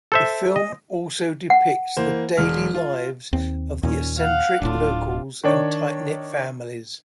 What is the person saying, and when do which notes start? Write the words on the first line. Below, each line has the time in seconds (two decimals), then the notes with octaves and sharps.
The film also depicts the daily lives of the eccentric locals and tight-knit families.
0.12 A4 C5 E5
0.56 D#5
1.50 F#5
1.97 E3 A#3 C5
2.37 E1 G#3 F6
2.75 F4
3.33 D#2 C4
3.83 D#2 A#2 C#4
4.18 F5 F#5
4.62 D1 A2 D4 F4
5.44 D#3 D4 C#5